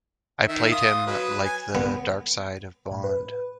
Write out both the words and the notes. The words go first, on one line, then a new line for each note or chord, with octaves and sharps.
I played him like the dark side of Bond.
D#3 E5
F4 D#6
F#3 B4
G#5
B3
A2
B4